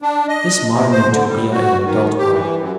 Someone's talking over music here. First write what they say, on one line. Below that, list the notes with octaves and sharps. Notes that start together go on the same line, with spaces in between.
This modern Utopia is an adult world.
D4
D#5
C3
C5
D3
G3
F#4
D#3
G4
E3
F#2